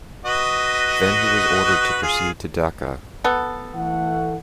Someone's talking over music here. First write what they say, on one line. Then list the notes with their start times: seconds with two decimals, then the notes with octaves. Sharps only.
Then he was ordered to proceed to Dhaka.
0.25 F#4 B4 D#5
2.03 F4 G#4
3.24 B3 A4
3.75 E3 A3 F#5